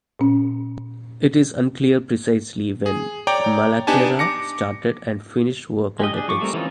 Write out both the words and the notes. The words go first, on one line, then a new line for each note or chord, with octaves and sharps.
It is unclear precisely when Malaterra started and finished work on the text.
A#2 C#4
G#4
C#5 D5 G5 A#5 D6
B3 D4 D#4 G4 G#5 A5
D6 A#6 C#7
G#3 G4 D#5
D4 G#4
F3 C#6 D6
G3 A3 C4 A#4
E3 C4 C#4 D#4 F4